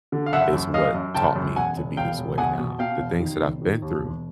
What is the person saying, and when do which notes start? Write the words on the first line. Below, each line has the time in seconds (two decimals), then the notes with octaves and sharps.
is what taught me to be this way now, the things that I've been through,
0.12 D3
0.26 F5
0.32 F#1 E5 F#5
0.53 F#2
0.74 F#2 D#5 F5
0.94 F#2
1.14 F#1 G5 A5
1.36 F#2
1.56 E1 F#5 G#5
1.77 E1
1.97 E1 F5 G5
2.18 E1
2.38 E2 F#5 G#5
2.59 B2
2.79 B2 F5 G5
2.99 E1
3.20 D#3
3.40 E1
3.62 D#3
3.82 D#2
4.03 E1